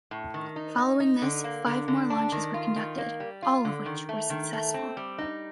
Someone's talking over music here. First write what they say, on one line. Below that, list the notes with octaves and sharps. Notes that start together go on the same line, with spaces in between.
Following this, five more launches were conducted, all of which were successful.
A2
D#3
D#4
D#4
D#4
D3
A#3
D3
D3
D4
D#3
F4
D#3
A#3
G3
F4
D3
D#3
A3
D#3
A3
C4
G3
D#4